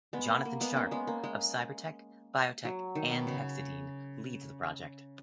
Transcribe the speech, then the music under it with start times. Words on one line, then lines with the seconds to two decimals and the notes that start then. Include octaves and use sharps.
Jonathan Sharp, of Cyber-Tec, Biotek, and Hexedene, leads the project.
0.13 G#3 B3
0.30 A#3
0.45 A#3
0.61 G#3 B3
0.73 A#3 B3 C#4
0.91 G#3 B3
1.07 A#3
1.24 G#3
2.65 F#3
2.95 D#3
3.11 B2
3.27 C#3